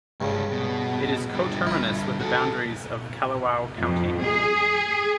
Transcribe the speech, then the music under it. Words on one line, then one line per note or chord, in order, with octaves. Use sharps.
It is coterminous with the boundaries of Kalawao County.
C2 G2 C#3 G#3
B2
D3 G3
E4 F4 A#5
F#4 A4
F2
G#4